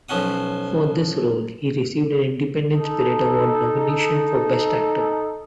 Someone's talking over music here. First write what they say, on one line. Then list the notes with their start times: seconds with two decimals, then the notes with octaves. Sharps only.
For this role, he received an Independent Spirit Award nomination for Best Actor.
0.09 B1 F3 C#4 F#5 D#6
2.72 D#4 A4